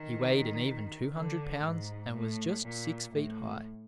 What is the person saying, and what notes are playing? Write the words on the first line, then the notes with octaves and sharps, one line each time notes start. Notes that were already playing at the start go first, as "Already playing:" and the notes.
He weighed an even two hundred pounds and was just six feet high.
Already playing: D#3
D3
G#2
A2
A#2
A2